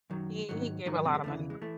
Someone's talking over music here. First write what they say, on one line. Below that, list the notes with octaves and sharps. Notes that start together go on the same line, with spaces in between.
he he gave a lotta money.
F#2 D#3 F#3
G#2 D#3 F#3
G#2 D#3 F#3 D#4
C3 C4
G#3
E2 C#3 E3 A3
G#3
E3 A3